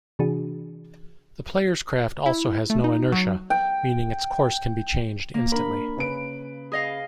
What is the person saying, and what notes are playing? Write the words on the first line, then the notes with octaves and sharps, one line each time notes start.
The player's craft also has no inertia, meaning its course can be changed instantly.
C3 E3 D4 F#4 G#4
E4
A3
D#4
F#3
G5
A#3
D4 A#4 B5
C#3 B4 D7
G#4 D#5 F5